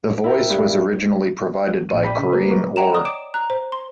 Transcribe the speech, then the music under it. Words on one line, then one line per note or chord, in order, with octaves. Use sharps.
The voice was originally provided by Corinne Orr.
E4 A#4 G5
G2
A#1 D#7
D5 G5 B5 B6
C#3
A#3 G#4 B4
A#3 B3 F#4 B4
C#5 D#5 F#5 G5 A#5 E7
D5 D#6
D6 D7 E7
A#5 F#6
C5
C6